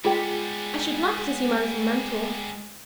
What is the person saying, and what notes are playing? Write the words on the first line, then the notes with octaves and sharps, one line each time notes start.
I should like to see my little mentor.
G3 G#3 B3 F4 G#4 G5